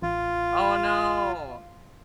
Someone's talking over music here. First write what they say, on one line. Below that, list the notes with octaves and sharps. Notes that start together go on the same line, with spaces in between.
Oh, no!
A1 F4